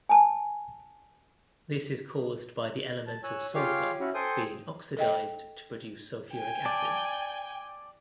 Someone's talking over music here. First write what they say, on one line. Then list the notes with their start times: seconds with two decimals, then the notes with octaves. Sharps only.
This is caused by the elemental sulfur being oxidized to produce sulfuric acid.
0.09 G#5 A5
3.07 A5
3.24 C#5 G#5 E6 F#6
3.55 F4 G4 G#4 C#5 F5
4.00 C#4 E4 F#4
4.14 A4 C5 G5 G#5 D#6
4.97 A4 D#5 G5
6.32 G5 G#5
6.65 D5 A5